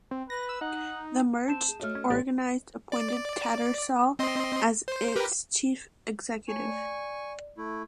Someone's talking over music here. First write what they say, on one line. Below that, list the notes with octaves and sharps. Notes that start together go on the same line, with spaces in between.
The merged organised appointed Tattersall as its chief executive.
C4
B4 A#6
E6
D#4 F#5
C4 A5 G6 E7
G#4
A3 F#4 C#5 D#5 F6
C#4
A1 C4 G4 A4 D5 A6
D5
C4 D#5 C6
C5
G4 A#4 B4
A3 C#5 G#5 C#6
D5
A3 E4